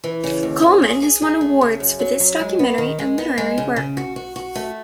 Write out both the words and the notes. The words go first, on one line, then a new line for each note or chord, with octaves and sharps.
Coleman has won awards for this documentary and literary work.
E3
C#3
D#2
D#2
G#4
G#4
G#4
A3
C#3
F#2
F#3
F#3
G#3
B3
D#3
G#3
B3
G#3
C#3
C#3
F#4
F#4
F#4
A3